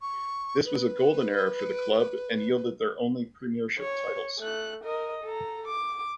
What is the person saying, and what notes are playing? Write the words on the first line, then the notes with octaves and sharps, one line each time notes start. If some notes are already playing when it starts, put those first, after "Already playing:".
This was a golden era for the club and yielded their only premiership titles.
C#6
B4
C#5
A3 F#6
A#4 D#5
A4 A#5
D6